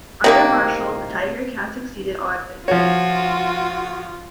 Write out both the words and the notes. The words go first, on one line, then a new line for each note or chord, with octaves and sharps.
Under Marshall, the Tiger-Cats exceeded all expectations.
C3 D#3 A#3
F3 F4 F#4 C#5